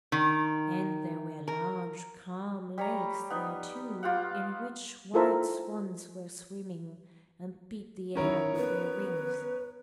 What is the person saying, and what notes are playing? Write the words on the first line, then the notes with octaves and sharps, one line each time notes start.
And there were large calm lakes there too, in which white swans were swimming, and beat the air with their wings.
D#3
A#4
G3 C#5 A#5
B3 D#4
F4 G4 F5 F#5
E4 F4 A4 A#4 C5 E5
D#3 C#4 E4 A#4 C#5
B3 B4